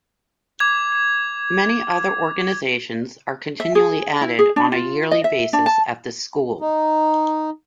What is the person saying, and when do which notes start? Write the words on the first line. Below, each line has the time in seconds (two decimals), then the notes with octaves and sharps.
Many other organizations are continually added on a yearly basis at this school.
0.60 D6 G#6 F7
3.60 E5
3.75 G#4
4.21 E4
4.39 G#4
4.56 D4
4.72 F4
5.11 D#5
5.24 E5
5.53 D4
5.66 A5
6.61 D#4